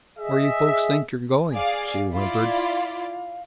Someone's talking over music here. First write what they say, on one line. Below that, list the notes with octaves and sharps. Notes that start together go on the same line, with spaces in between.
"Where you folks think you're going?" she whimpered.
G#4 D#5 E5
G#4 D5 F5
E4 F4 D5 F5